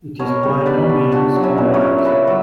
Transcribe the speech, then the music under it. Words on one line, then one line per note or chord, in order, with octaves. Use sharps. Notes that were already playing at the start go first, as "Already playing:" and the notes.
It is by no means all right.
B2 A#4 C#5
G3
B2 B4 D5
B2
A#2 D4 F#4
F#3
C#4 E4
A#2
A#4 C#5
A#2
E5
C#3 B4 D5
F#3